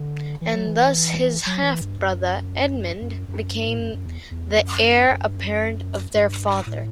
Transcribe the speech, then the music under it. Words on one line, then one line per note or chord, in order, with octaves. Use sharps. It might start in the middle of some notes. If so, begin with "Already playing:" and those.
And thus his half brother, Edmund, became the heir apparent of their father.
Already playing: D3
E3
F#3
E3
F#3
E3
G2
F#2
F#2
F#2
G2
A2
F#2
F#2
E2
E2
F#2
F#2
G2
F#2
G2
A2